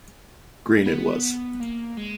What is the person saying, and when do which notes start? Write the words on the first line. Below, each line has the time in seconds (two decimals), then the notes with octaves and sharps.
Green, it was.
0.86 B3
1.61 A#3
1.97 G#3